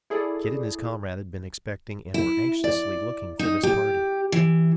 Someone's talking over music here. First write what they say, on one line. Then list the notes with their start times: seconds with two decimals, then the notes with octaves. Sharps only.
Kit and his comrade had been expecting and were anxiously looking for this party.
0.10 E4 G#4 A4 D5
2.14 E4
2.64 D5
3.39 D#4
3.63 G4
4.32 E3